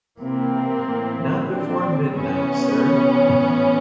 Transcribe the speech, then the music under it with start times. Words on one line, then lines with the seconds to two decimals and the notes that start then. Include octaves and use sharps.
Not before midnight, sir.
0.20 C3 E3 A#3 C4
0.84 A2 E3
1.47 A#2 C4 D4
2.12 C3 E3 B3 C#4
2.76 C3 E3
3.40 A2 E3